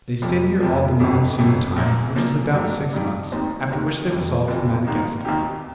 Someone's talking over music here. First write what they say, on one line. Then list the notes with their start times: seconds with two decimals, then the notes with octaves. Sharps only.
They stayed here all the monsoon time, which is about six months; after which they resolved for Madagascar.
0.22 F1 F2 C3 F3
0.61 F1 F2 C3 F3
0.99 G1 F2 C3
1.38 G1 F2 C3
1.76 A#1 A#2 F3 A#3
2.15 A#1 A#2 F3 A#3
2.54 G2 G3 D#4
2.93 G2 G3 D#4
3.32 D#2 D#3 C4 D#4 G4
3.70 D#2 D#3 C4 D#4 G4
4.09 F1 F2 F3
4.47 F1 F2 F3
4.87 D#2 D#3 A#3 D#4 G4
5.25 D#2 D#3 A#3 D#4 G4